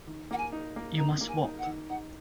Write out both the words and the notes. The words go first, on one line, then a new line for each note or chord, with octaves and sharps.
You must walk.
D#3
A#3 F#5
G#5
D#4
A#3
D#4 A#5
A#3
G#5
D#4
F#5
D#3
D#4 F#5